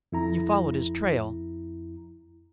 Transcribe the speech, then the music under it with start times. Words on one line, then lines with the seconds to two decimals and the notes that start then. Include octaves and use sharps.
"You followed his trail?"
0.12 F2 E4 A#5